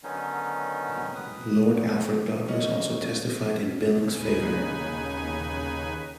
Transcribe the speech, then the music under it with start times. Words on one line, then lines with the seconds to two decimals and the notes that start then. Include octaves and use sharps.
Lord Alfred Douglas also testified in Billing's favour.
0.03 D3 D#3 F#3 B3 C#4 D#4
1.15 B4 D#6
2.48 C#3 C#4 D#5 F#5
4.13 D#2 C#3 D#4 B4 G#5